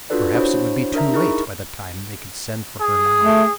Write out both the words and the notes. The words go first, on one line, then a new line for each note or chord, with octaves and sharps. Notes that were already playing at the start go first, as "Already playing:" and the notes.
Perhaps it would be too late by the time they could send for her now.
D4 F4 F#4 A4 B4 D5
D4 E4 F#4 C5 C#5
D4 A#4 E5 A#5
D#4 E4 G#4 A#4 C#6
G#4
A3